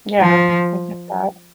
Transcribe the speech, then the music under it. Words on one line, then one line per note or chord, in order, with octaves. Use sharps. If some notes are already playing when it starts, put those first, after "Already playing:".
yeah, I get that.
F3